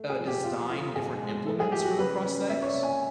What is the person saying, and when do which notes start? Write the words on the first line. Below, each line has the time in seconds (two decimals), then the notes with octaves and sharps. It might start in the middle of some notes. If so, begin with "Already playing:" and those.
uh, design different implements for their prosthetics
Already playing: A3
0.10 G#4
0.19 F3
0.28 G4
0.44 F3 F4
0.70 A3 F4
0.96 B2 G#4
1.22 G#3
1.46 A3 A4
1.60 G#4
1.72 F3 G4
1.84 F#4
1.98 C#3 B4
2.23 C#4
2.49 A#3 E5
2.62 C#5
2.66 D5
2.74 C3
2.83 G#5